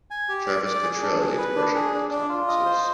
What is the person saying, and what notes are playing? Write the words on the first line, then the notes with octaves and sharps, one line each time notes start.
Travis Cottrell leads worship at the conferences.
G#5
G4
D5
D5
G#4
D4
G#4
B4
D4
G#4
D4
D4
F4
D#5
C5